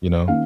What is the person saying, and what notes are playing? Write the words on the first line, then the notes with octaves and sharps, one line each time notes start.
you know,
D#3 A#3 C#4 F5